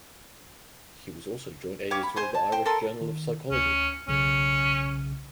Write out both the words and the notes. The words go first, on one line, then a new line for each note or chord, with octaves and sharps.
He was also joint editor of the "Irish Journal of Psychology".
G4 C#5 F5 D6
B5
C5 G#5 C6
A5
C5 G5
A4 A#4 C6
D#3
D2 C#4
B1 C#3 C#4